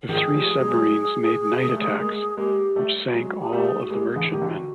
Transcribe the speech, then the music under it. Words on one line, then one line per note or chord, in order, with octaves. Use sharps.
The three submarines made night attacks which sank all of the merchantmen.
D#3 F3 G#4
F3 G3
F#3 G#3
A#3
A3
G#3
G3 A3
G#3 A#3
G#3 A#3 G4
G3 A3
F#3 G#3 F#4
G4
G#4
G3 A3 G4
G#4
F#4
G#3 A#3 G4
G#4
D3 E3
D#3 G4
D3 E3
F#4